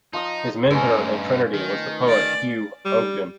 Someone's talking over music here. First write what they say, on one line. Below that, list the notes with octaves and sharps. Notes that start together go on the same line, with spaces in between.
His mentor at Trinity was the poet Hugh Ogden.
F3 D#4 D#6
G2 A3 C#4 D#4 B4 C#5
D#3
D5
G3